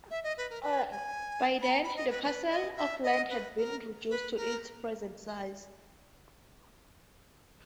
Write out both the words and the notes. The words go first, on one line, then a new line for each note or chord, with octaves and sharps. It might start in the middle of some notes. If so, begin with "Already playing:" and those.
By then the parcel of land had been reduced to its present size.
E5
D#5
B4
A#4
B4
G#5
B5
A#5
B5
D#5
B4
B4
D#5
E5
D#5
B4
A#4
B4
A#4